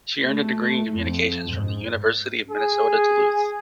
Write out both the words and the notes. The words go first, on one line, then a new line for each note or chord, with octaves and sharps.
She earned a degree in communications from the University of Minnesota Duluth.
A3
F2
G#2
G#4